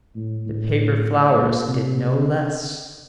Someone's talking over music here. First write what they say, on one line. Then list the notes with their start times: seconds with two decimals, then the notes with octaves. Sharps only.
The paper flowers did no less.
0.16 A2
0.46 A2
1.37 A#2
1.67 C3